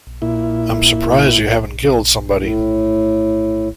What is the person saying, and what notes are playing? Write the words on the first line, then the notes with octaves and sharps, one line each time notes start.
I'm surprised you haven't killed somebody.
A#2 E4
A2